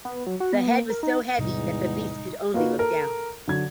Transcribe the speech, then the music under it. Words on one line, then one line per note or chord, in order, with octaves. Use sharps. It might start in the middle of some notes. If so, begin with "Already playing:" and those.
The head was so heavy that the beast could only look down.
B3
F#3
F#4
B3
A#3
A#4
D#4
E2 A2 C3 G3 G#3 D#4
A#3 D#4 F4 F#4 B4
A4 A#4
D3 F#3 G#6